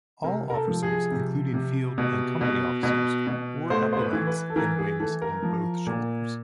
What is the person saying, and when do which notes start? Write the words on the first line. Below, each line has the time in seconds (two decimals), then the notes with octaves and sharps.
All officers including field and company officers wore epaulettes and wings on both shoulders.
0.24 C3 A#4
0.50 A#4
0.54 A4
0.68 F3
0.83 G#4
1.11 C3
1.54 C3
1.98 B2
2.41 B2
2.83 B2
3.27 B2
3.70 A2 C5
3.93 C5
3.99 B4
4.13 E3
4.27 B4
4.50 A4
4.56 E3 A#4
4.78 G#4
5.00 E3 A4
5.22 A#4
5.43 F3
5.86 A#2